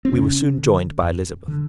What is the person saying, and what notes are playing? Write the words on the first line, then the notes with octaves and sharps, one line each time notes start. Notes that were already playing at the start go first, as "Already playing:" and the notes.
We were soon joined by Elizabeth.
C4
F2 C#3 C#4
D3
F2
D3